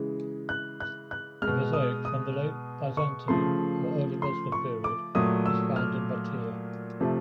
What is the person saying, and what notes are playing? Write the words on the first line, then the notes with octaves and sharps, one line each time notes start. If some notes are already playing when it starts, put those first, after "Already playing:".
A mosaic from the late Byzantine or early Muslim period was found in Battir.
Already playing: C#3 E3 G#3
F#6
F#6
F#6
G#3 F6
B2
D#6
D#6
C#6
C#3 F3 A3 C6
C6
C#6
D6
A#2 F#3 A3 D#6
E6
F6
C3 F3 A3